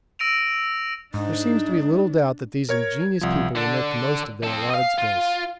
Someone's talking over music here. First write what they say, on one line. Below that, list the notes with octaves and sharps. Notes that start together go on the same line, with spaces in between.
There seems to be little doubt that these ingenious people will make the most of their allotted space.
E6 A#6 D7 D#7 F7
G#2 D4 D#4
A#4 C#5 G#6
C2 F3
D3 D4
C4 A4
D#5 F5
F4